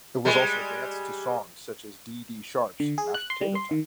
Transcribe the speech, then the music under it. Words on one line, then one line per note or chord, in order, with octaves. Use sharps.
It was also danced to songs such as Dee Dee Sharp's "Mashed Potato Time".
G3 G#3
D3
G#4
F#6
C6
G3
C6
D#3